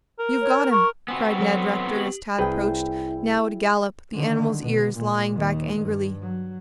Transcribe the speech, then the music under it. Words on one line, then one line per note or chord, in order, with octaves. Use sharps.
"You've got him!" cried Ned Rector as Tad approached, now at a gallop, the animal's ears lying back angrily.
A#4
C#5
A#4 C#6
B3 C4 F#4 G#5
F#3 A4 C#5
G4 F#7
C2 E4 G#4 B4 G5
D3 D#3
B2
A#2
D#2 D#3
G2
F#3